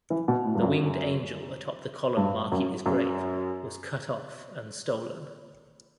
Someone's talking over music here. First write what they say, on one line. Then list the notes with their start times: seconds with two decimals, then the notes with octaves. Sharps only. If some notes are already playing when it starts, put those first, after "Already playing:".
The winged angel atop the column marking his grave was cut off and stolen.
0.10 E3
0.28 B2
0.45 A2
0.55 G2
0.62 F#2
2.17 G2
2.52 F#2
2.86 F#2